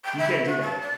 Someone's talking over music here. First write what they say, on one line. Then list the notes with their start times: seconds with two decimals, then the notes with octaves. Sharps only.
You can't do that.
0.04 G5
0.18 E5
0.46 F#4
0.61 A5
0.80 D5